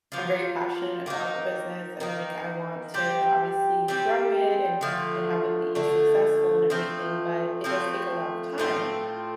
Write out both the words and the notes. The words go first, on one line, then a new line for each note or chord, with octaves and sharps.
I'm very passionate about the business, and then, like, I want to, obviously, grow it and and have it be successful and everything, but it does take a lot of time.
F3 A#3 F4
D#3 A#3 D#4
D#3 A#3 D#4
G3 C4 G4
G3 C4 G4
D3 F3 A3
D3 F3 A3
F3 A3 C4
F3 A3 C4
A2 A3 C4 F4